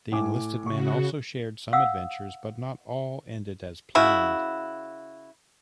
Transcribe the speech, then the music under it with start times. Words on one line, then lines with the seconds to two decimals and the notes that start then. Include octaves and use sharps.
The enlisted men also shared some adventures but not all ended as planned.
0.12 A2 G#5 D6
0.66 C#3 F#4 C#6
1.73 F5 F#5 D#6 E6
3.95 C#3 E4 F#4